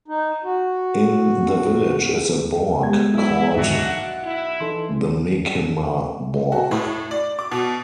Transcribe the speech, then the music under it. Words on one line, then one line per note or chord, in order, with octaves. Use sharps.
In the village is a "borg" called the Menkemaborg.
D#4
F#4
G3 G#3 B3 G#6
B1 E4
D2 G#2 D#3 A#3 D4 F#4 E5
F#5
E4
E3 D#4 A4 C6
F#4
A2
D5
D6
B2